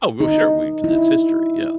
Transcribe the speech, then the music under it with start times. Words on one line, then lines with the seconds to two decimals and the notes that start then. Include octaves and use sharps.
Oh, well, sure, we 'cause it's history, yeah.
0.20 D#4
0.84 E4